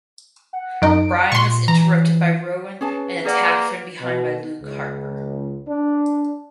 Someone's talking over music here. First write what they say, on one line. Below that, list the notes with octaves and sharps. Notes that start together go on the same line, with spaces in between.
Bryan was interrupted by Rowan and attacked from behind by Luke Harper.
F#5
F#2 D#4 D7
A#2 C6 C#6
E3 A#5
C#4 G#4 B4 A5
A#3 G#4 D5 F#5
B2
C#2
D4